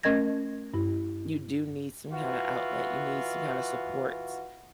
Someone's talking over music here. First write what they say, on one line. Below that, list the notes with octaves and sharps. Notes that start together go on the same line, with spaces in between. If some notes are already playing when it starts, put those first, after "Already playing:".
you do need some kinda outlet, you need some kinda supports,
A3 C#4 A#4 D#5 G#6 A#6
G2 E4
E3 F4 F#4